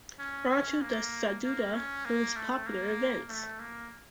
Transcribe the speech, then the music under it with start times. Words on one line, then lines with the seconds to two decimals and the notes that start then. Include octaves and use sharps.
Rancho da Saudade holds popular events.
0.19 C#4
0.50 C#4
0.81 A#3
1.43 A#3
1.74 C#4
2.05 A#3
2.36 A3
2.66 A#3
3.28 A3
3.60 A#3